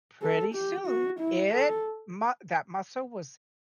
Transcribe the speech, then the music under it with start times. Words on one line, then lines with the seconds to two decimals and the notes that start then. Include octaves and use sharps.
Pretty soon, it mu that muscle was
0.22 A4
0.55 G4
0.87 F#4
1.19 E4
1.53 A4